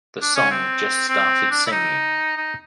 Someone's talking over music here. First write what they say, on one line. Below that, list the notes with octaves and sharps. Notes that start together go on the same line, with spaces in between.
The song just started singing.
D4
C#4
C4
C4
D4
E4
D#4
D#4